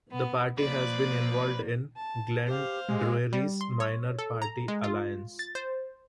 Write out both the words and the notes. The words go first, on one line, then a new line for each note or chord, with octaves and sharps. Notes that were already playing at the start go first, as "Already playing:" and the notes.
The party has been involved in Glenn Druery's Minor Party Alliance.
B3
F3 A#3 B4 D5
A5
G4 C5 F5
G#3 G4
G3
C6
C#5
A4
A#5
G#3
F4
A6
C5